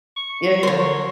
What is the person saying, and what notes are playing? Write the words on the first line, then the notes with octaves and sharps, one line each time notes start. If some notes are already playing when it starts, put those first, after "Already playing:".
Yeah, yeah.
C#6
D3 A#4 C5 C#5